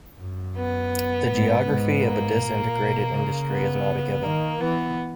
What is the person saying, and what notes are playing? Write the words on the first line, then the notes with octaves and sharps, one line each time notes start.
The geography of a disintegrated industry is not a given.
F#2
B3
G#2
G#2
A#3
A#2
B2
C#3
B3
D#3 A#3
E3 B3